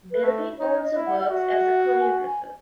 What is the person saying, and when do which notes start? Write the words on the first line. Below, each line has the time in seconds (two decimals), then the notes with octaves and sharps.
Belbin also works as a choreographer.
0.12 B4
0.23 A3
0.59 D#4 C#5
0.83 D#5
0.95 E4
1.06 F#5
1.20 F#5
1.30 F#4 E5
1.53 E5
1.77 F#5
2.00 G#5
2.25 G#5